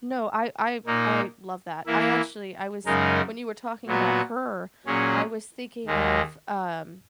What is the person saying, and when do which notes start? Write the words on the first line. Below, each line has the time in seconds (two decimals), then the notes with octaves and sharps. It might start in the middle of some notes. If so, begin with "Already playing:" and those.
No, I I th I love that, I actually I was when you were talking about her, I was thinking of, um
0.85 A#2 A#3 D#4
1.86 E3 A#3 E4
2.86 F#2 C#3 G#3 D#4 A#4
3.86 A#2 F#3 B3 F#4
4.86 A#2 F#3 C#4 G#4
5.87 D#2 D#3 G#3